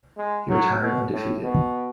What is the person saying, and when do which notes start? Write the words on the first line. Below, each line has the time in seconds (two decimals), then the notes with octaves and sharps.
He retired undefeated.
0.18 G#3
0.49 F#3
0.81 B2
1.12 A2
1.44 B2